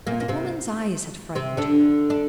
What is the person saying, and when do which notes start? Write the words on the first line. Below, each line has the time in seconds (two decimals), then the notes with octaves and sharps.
But the woman's eyes had frightened her.
0.07 A#2 A#3
0.20 A#3
0.28 C3 C4
1.35 C3 C4
1.57 D3 D4
2.10 D4